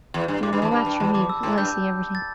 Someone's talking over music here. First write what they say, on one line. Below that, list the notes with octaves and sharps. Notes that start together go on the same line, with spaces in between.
You are no match for me because I see everything.
E2
G2
A2 D6
G2 B5
E2
A5
G2 B5
G2
E2 A5
E2 D6
E6
A2
G2 G6
A6